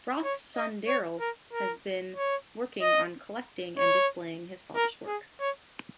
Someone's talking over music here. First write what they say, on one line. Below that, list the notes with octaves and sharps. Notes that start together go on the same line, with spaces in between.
Roth's son Darryl has been working on collecting and displaying his father's work.
C#5
D#5
C#5
A#4
A#4
C#5
D#5
C#5
A#4
G#4
C#5